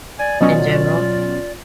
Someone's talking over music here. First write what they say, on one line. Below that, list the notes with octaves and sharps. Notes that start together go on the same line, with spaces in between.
in general,
D5 G#5
B2 F#3 C#4 F4 D#5